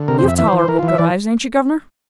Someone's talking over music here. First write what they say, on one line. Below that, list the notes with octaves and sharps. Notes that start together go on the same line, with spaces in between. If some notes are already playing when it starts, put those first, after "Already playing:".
'You've tolerable good eyes, ain't you, Governor?
Already playing: D3
C3 A#4
C5
F2 E5
E3 E5
C5
E3
C5
E3 A#4
E3 F4
E5
E3 D5